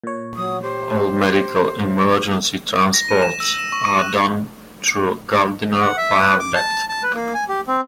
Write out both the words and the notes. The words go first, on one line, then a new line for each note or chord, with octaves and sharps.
All medical emergency transports are done through Gardiner Fire Dept.
A#2 C#5
F#3 D#6
G4 C5
A#6
D#7
E7
E6
E7
C#6
D#7
F#6
F#5
E5
B4
D6
A5
A5
B4
A#3
G#5
G4
C4